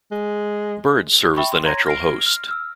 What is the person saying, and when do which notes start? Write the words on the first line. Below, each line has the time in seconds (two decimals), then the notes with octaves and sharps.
Birds serve as the natural host.
0.12 G#3
1.36 E5 G5 B5 C#6
1.52 C6
1.64 C#5 A#5 C6 G#6 A#6
1.86 F6 A#6 C7 D7
2.26 F6
2.49 E6 F6